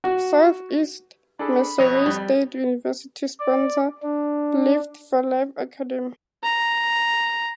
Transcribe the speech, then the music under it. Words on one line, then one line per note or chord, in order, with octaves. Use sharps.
Southeast Missouri State University sponsor Lift For Life Academy.
F#4
D4 G#4 A4 B5
F2 B2 C#5 D#5
G3
D5
D4
A#5